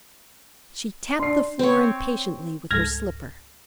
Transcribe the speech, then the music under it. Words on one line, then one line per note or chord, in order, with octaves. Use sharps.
She tapped the floor impatiently with her slipper.
D4 D5 C6 C7
C4 C#5
C#2 G#2 A4 F6 G#6 A#6